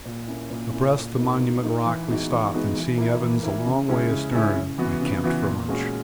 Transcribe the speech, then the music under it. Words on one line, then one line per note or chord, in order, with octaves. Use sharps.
Abreast the Monument Rock we stopped, and seeing Evans a long way astern, I camped for lunch.
A#2
A#3 C#4 E4
A#2
A#3 C#4 E4
A#2
A#3 D#4
A#2
A#3 D#4
E3
G#3 B3 D#4 F#4
E3
G#3 B3 D#4 F#4
E3
A#3 E4
E3
A#3 E4
C#3
G#3 C#4 E4
C#3
G#3 C#4 E4
C#3
E3 B3 F#4
C#3
E3 B3 F#4
A#2
G#3 C#4 F#4